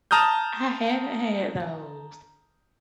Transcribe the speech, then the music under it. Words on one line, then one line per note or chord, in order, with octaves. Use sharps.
I haven't had those.
A5 A#5 D#6 F6 G6